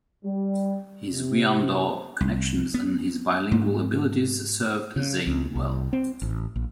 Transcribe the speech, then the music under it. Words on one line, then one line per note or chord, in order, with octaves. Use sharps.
His Wyandot connections and bilingual abilities served Zane well.
G3
C3
C2
B3
G#2
C#3
C#2
C2
C4
A1
A#1